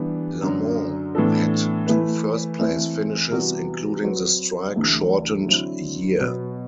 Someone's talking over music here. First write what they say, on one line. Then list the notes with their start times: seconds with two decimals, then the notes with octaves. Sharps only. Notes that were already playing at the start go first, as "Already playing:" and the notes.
Lamont had two first-place finishes, including the strike shortened year.
Already playing: E3 G3 B3 D4
0.42 F#2 D3 F#3
1.15 A2 E3 B3 D4 A4
1.87 E3 A3 E4 B4
2.59 E3 A3 C4 E4
3.31 C3 E3 G3 B3 F#4
4.04 F#3 C4 F#4 B4
4.75 D2 C3 E3 A3 E4
5.48 D3 F#3 C4 E4
6.20 B2 F#3 B3